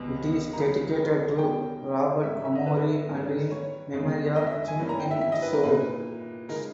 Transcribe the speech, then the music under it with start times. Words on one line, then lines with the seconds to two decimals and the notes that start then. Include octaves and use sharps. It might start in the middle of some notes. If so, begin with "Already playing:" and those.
It is dedicated to Robert Amory and in memory of Jung Ying Tsao.
Already playing: C#2 B2 G3 B3
0.53 C#2 C#3 G3 A#3 D#4 A#5
1.38 B2 G3 C#4 G5
2.23 G#2 G3 C#4 E5
2.45 E5
2.55 D#5
2.66 B4
3.09 G#2 G3 C#4
3.51 C#5
3.93 E2 C#3 G#3
4.36 D#5
4.47 E5
4.68 G#5
4.79 G2 E3 A#3 C#4
4.89 A#5
5.00 G5
5.11 E5
5.21 E5
5.32 D#5
5.42 B4
5.53 A#4
5.64 A#2 A#3 D#4 B4
6.49 C#3 G#3 D#4 A#4